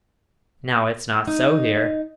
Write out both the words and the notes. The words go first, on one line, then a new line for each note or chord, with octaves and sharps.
Now, it's not so here.
D#4